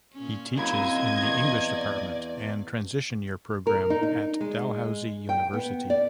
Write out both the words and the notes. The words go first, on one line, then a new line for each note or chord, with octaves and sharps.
He teaches in the English Department and Transition Year Program at Dalhousie University.
A#2 C#4
F#2 A#2 C4 C#4 E4 D#5 G#6
E2 D5
A#4
D#4
D#4
G#3
G5
B3
D5